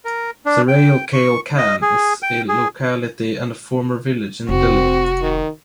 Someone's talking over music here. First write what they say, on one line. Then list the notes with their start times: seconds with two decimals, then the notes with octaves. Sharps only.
Sarai Kale Khan is a locality and a former village in Delhi.
0.05 A#4
0.46 D4
0.68 G5
1.13 C#6
1.58 D#5
1.82 G#4
2.23 G5
2.49 G#4
4.49 F1 C4 F#4
5.22 D#3